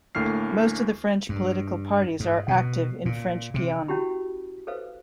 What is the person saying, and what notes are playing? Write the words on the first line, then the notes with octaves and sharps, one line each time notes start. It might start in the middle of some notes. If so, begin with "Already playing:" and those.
Most of the French political parties are active in French Guiana.
D2 A2 A#3 F6 C7
G2
G#2
B2
A#2
C3
C#4 E4 F#4 G4 B5
A4 B4 C5 F5